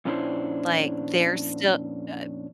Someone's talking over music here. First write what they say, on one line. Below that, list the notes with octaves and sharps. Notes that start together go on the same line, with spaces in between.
Like, they're still, uh
F2 A#2 C#4 D4 E4 C5